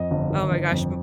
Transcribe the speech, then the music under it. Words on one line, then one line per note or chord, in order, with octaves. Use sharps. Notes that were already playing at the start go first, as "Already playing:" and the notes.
Oh my gosh, m
Already playing: F2 D#5
G1
D#3
G1
F2